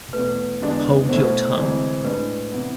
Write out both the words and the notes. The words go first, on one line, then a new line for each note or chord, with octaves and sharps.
Hold your tongue.
E2 B2 A3 B4
E2 D3 G#3 D4
B2 A3 E4 C5
D2 C3 E3 G#3
A2 G#3 D4 B4
C3 E3 B3 E4